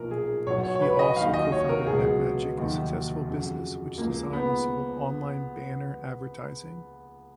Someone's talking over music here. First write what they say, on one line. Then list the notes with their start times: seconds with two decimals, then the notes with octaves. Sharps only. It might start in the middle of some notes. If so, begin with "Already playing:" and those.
He also co-founded Netmagic, a successful business which designed and sold online banner advertising.
Already playing: B1 A#2 F3 A#4
0.11 G#4
0.46 B1 B2 F#3 C#5
0.63 C#5
0.75 C#5
0.82 B4
0.99 D#5
1.16 D#2 D#3 F#3 F5
1.34 D#5
1.52 C#5
1.69 A#4
1.86 C#2 B2 F#3 G#4
2.57 F1 D#2 D#3 F#3
3.27 F2 C#3 F#3
3.97 C#2 C#3 F3 A#3
4.33 B3